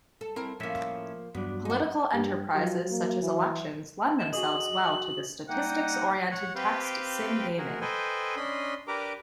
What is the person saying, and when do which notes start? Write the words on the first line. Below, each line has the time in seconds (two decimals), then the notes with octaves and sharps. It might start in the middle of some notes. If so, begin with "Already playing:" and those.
Political enterprises such as elections lend themselves well to the statistics-oriented text sim gaming.
0.21 A4
0.36 C4 E4 A#4
0.60 A2 F3 A#3 C#4 E5
1.35 E2 G2 F#3 B3 D4
1.65 D#4 F#4
2.14 G2 G4
2.56 F3 F#3
2.90 A#3
3.22 E3
4.19 E7
4.33 F#4 G#4 D#5 F#7
5.48 C3 G3 A#3 D#4 F#5 G5
6.31 C#5 F#5
6.55 C4 G4 B4 F5 G5
7.58 F#4 G#4 A#4
7.81 A4 B4 C5 D#5 G5 G#5
8.36 C#4 D4 D#5 B5 C6
8.88 D4 G4 A#4 B4 A#5 D6